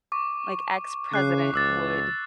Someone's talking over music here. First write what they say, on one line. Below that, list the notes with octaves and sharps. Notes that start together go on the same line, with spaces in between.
like, ex-president would
C#6 D6
C#3 F#6 C7
C#2 D6 E6 A6